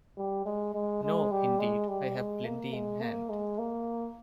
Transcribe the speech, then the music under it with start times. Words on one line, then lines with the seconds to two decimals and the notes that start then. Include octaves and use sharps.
No, indeed, I have plenty in hand.
0.17 G3
0.46 G#3
0.74 G#3
1.03 G#3
1.31 G3
1.59 G#3
1.88 G3
2.16 G#3
2.45 A#3
2.73 G#3
3.01 A#3
3.29 G#3
3.58 A#3